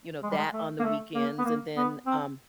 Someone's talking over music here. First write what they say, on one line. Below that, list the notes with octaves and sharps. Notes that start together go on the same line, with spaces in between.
you know, that on the weekends, and then, um
G#3
G3
G#3
A3
A#3
A3
A#3
B3
A#3
B3
C4